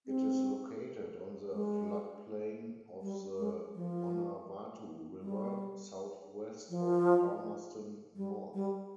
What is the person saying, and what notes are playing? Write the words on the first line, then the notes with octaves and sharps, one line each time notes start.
It is located on the floodplain of the Manawatu River, southwest of Palmerston North.
C4
G#3
G3
G#3
F3
G3
F3
G3
G3